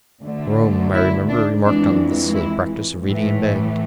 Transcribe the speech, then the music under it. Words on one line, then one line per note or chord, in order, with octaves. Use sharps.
Rooum, I remember, remarked on the silly practice of reading in bed.
D2 D3 A3
E4
D4
F2 E3 G#3 D4
E4
A2 E3 A3